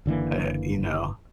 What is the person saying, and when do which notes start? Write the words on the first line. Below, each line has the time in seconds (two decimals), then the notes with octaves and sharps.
eh, you know.
0.06 F#1 D3 E3 A#3